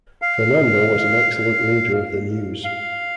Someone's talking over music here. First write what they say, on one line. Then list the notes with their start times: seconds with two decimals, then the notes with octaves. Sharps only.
Fernando was an excellent reader of the news.
0.22 F5
2.64 F5